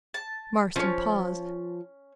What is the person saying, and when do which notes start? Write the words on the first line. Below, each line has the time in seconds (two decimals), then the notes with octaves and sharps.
Marston paused.
0.14 A5
0.76 F3 C#4 C#5